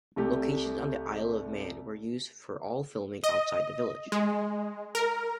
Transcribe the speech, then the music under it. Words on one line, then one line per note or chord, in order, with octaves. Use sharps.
Locations on the Isle of Man were used for all filming outside the village.
C2 A3 G4
D#5
G#3
A#4